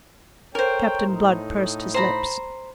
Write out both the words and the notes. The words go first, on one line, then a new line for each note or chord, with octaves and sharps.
Captain Blood pursed his lips.
A4 A#4 C5 C#5 G5
A2 D#4
C5 A#5 B5